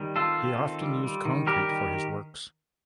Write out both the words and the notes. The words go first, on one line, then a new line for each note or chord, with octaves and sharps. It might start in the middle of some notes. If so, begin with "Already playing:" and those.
He often used concrete for his works.
Already playing: D#3 G3
C4 F4 A4
C4
D#3
G3
G3
D#3
G3 G4 A#4
D#3